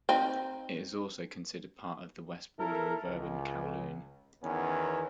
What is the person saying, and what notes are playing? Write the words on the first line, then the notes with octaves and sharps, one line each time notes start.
It is also considered part of the west border of urban Kowloon.
C4 D#4
E4 A4 A#4
C#2
E2 D#3 B3 C#4